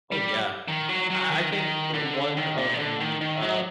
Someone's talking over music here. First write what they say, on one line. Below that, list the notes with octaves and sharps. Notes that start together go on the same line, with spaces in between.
Oh, yeah, uh, I I think one of the, uh,
G3
D#3
F#3
F#3
D#3
D#3
D3
D#3
A#2
D#3
D3
D#3
D#3
F#3